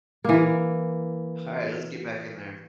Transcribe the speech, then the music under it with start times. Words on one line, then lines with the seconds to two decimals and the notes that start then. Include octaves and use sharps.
Alright, let's get back in there.
0.24 E3 A#3